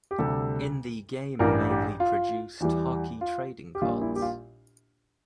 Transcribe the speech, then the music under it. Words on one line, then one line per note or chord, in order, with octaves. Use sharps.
In The Game mainly produced hockey trading cards.
G4
D2 C3 G3 A4
A1 G2 E3 A#4
G4
F4
E2 E3 G3
F4
G4
A#1 A#2 G3 F4
E4
G4
F4